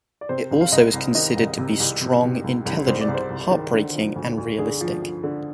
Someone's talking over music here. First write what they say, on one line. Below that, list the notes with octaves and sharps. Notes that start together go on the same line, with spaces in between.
It also is considered to be strong, intelligent, heart-breaking and realistic.
D5
C3 C5
C2
F5
C2 D#5
C2
D#3 D#5
C2
C3
C2
C3
C3
C2
C2
C2 C5
D5
C2
C5
C2
D#3
D3
F3
D2
D2
D3 G#4
F3
F3
D3